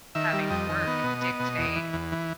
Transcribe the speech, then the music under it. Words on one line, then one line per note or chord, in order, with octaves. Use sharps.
having work dictate
D#3 E5
G3
F2 D#5
D#3
B3
B2
B3
B2
E2
E3
E2
E3